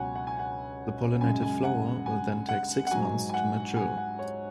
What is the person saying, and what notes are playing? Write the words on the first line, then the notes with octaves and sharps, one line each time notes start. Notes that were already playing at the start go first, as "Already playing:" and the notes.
The pollinated flower will then take six months to mature.
Already playing: C#2 B2 F#3 C#5 F#5 G#5
F#5
G#5
F#5
F#2 C#3 G#3 G#5
G#5
F#5
G#5
F#5
F#5
G#2 F#3 G#5
G#5
F#5
G#5
F#5
C#5